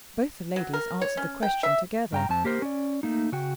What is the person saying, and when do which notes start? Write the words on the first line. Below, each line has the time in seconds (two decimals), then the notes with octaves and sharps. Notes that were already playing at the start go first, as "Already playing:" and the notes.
Both the ladies answered the question together.
0.56 F#3
0.73 A#4
1.01 C#5
1.17 C#4
1.43 G5
1.63 E5
2.12 G2 G5 A#5
2.29 F2 C4 A5
2.44 A#3 G4 A#4 C5
2.62 C#4 D5
3.03 A3 A#3 D#4
3.32 C#3 F#4 G5